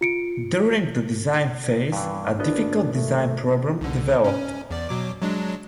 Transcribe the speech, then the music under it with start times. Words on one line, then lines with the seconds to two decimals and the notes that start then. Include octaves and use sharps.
During the design phase, a difficult design problem developed.
0.01 F4 C#7 D7
1.92 G2 E3
2.39 G#1 B3 D4 D#5
2.94 A3
3.81 C2 D3
4.24 C#4
4.70 E2 D5
4.89 B2 F#3 D6
5.22 F#3 G#3 D4